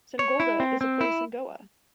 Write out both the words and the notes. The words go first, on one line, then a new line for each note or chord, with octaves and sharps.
Sangolda is a place in Goa.
C#5
E4
C4
C4
E4